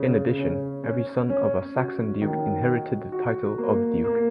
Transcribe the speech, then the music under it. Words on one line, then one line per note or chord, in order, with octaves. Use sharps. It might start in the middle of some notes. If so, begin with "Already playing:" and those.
In addition, every son of a Saxon duke inherited the title of duke.
Already playing: C#3
C#4
C#4
C#4
F#4
D#3
F#4
F#4
A#3
A#3